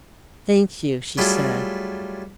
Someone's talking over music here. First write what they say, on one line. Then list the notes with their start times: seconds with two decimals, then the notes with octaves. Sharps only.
"Thank you," she said.
1.17 F#3 G3 A3 E4 F4 G#4